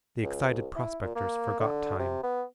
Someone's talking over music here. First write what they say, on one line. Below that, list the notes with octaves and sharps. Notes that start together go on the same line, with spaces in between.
The excited prospectors forgot time.
C#2
C2
E4
A#2
A#3
D3
C3
B3